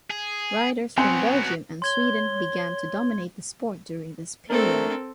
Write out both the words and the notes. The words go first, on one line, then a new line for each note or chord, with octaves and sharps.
Riders from Belgium and Sweden began to dominate the sport during this period.
G#4
F#3 B3 C4 G#5
C#5 C6 G#6 G7
A3 C4 D4 A4 A#4 C5